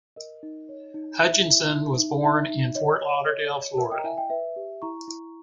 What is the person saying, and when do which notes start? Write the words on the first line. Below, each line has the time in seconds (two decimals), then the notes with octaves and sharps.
Hutchinson was born in Fort Lauderdale, Florida.
0.16 A#4 D#5
0.43 D#4
0.69 C#5
0.94 D#4
1.20 E4 E5
1.47 E4
1.72 D#4
1.98 D#4
2.23 D#4 E5
2.49 D#4
2.75 C#5 D#5
3.01 C#5
3.27 C#5
3.53 C#5
3.78 A#4 E5
3.92 D#5 G5
3.99 A#5
4.04 E4 E5 G#5
4.17 D#5 G5
4.30 B4 E5
4.56 G4
4.82 E4 A#5 C#6
5.08 E4